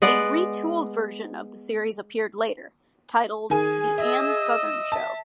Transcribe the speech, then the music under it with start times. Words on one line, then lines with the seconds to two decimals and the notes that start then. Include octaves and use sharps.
A retooled version of the series appeared later, titled "The Ann Sothern Show".
0.02 G#3 B3 D5 F#5
3.50 D#3 G#4 G#5
3.98 D#5 E5 E6
4.92 E5 A5